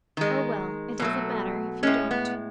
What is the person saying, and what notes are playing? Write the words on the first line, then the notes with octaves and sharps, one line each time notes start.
"Oh, well--it doesn't matter--if you don't."
D#3 G#3
B2 F#3 A3
A2 G#3 C#4
B3